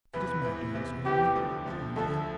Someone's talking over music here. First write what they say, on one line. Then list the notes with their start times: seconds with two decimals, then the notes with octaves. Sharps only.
It is my doing, Sir Henry--all mine.
0.13 E2 C3 E3 B3 B4
0.44 E2 C3 E3 B3
0.74 E2 C3 E3 B3
1.05 E2 C3 E3 B3 G4
1.36 D2 D3 F3
1.66 D2 D3 F3
1.96 D2 D3 F3 A4